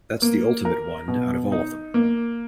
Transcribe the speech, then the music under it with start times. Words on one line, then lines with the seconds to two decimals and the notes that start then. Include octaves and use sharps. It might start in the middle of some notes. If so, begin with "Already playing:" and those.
That's the ultimate one out of all of them.
0.22 A#3
0.65 A#4
1.08 B2
1.52 D#4
1.94 A#3